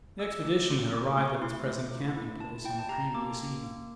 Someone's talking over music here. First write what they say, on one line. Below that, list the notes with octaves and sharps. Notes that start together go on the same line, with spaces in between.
The expedition had arrived at its present camping place on the previous evening.
A3 E6
A3
A3
E4 D6
A3 C6
E4 C6
A3
A3
E4
E4 A5
E4 G5
A5
G4 A#5
A#3 D6
A#3
A#3